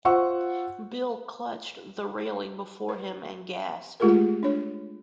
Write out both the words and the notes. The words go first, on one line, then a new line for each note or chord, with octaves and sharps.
Bill clutched the railing before him and gasped.
F4 C5 F#5 C#6 E6
B4
G#3 A3 F4 G4 G#4 A#4
D4 C#5